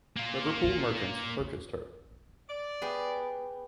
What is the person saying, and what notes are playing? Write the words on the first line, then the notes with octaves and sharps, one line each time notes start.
Liverpool merchants purchased her.
A#3 F4
D5
B3 G4 G#4